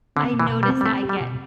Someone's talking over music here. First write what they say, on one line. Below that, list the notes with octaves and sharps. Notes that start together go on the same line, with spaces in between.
I noticed I get
D3 C4
B2
E3
B2
G3
C4
G3
A3 C4
G4
G3
B2